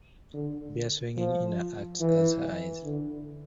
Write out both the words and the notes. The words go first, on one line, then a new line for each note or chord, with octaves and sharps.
Beer-swigging Ina acts as her eyes.
D3
F3
E3
D3